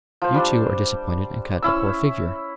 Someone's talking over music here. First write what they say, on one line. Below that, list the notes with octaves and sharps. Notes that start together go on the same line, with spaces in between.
You, too, are disappointed and cut a poor figure.'
F3 C5
G3 D4
C#4 E4 E6